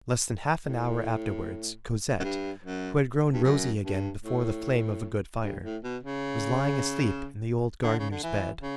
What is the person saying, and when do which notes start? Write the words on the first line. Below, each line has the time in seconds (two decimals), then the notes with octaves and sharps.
Less than half an hour afterwards Cosette, who had grown rosy again before the flame of a good fire, was lying asleep in the old gardener's bed.
0.64 A2
2.20 F#2
2.24 G2
2.64 F#2
3.33 G2
3.44 F#2
3.84 G2
4.24 A2
5.43 G2
5.64 A2
5.84 B2
6.03 C#3
7.83 D3
7.99 C#3
8.11 D3
8.23 E3
8.62 C#3